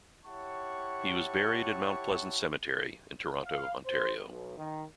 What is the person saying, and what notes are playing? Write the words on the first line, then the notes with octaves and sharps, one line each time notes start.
He was buried at Mount Pleasant Cemetery in Toronto, Ontario.
E4 G4 C#5 F#5 A5 C#6
F5
C5
B1
D#3